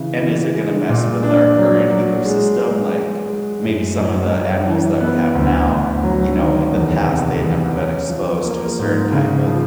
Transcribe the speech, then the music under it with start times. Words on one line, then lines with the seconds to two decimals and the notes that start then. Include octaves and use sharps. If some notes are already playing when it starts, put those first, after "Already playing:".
and is it gonna mess with our current ecosystem? Like, maybe some of the animals that we have now, you know, in the past they had never been exposed to a certain type of
Already playing: C#3 E3
0.20 E3
0.54 G#3
0.89 A#2
1.23 D4
1.58 F#3
1.91 F#3
2.25 G#3
2.60 G#3
2.95 G#3
3.30 G#3
3.64 F#2
3.98 F#2
4.31 F#2
4.66 E3
5.00 B3
5.35 D2
5.69 D2
6.03 F#3
6.38 D#3
6.72 E2
7.07 C3
7.41 E2
7.75 C#4
8.09 F3
8.45 A#3
8.79 G#2
9.12 C#3
9.47 F3